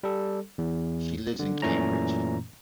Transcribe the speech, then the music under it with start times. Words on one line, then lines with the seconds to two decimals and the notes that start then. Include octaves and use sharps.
She lives in Cambridge.
0.03 G3 A4
0.58 E2
1.39 D3
1.62 F#2 A#2 E3 A3 C#4 A#5